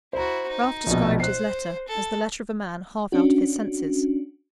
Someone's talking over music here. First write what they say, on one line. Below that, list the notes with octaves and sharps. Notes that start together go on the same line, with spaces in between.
Ralph described his letter, as the letter of a man half out of his senses.
E4 F#4 C5 A#5
D#4
A#1 B2
C5 F#6 C7
A4
C#4 D4 F#4